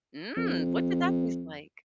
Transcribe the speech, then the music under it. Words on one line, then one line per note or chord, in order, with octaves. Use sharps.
Mm! What did that taste like?
F2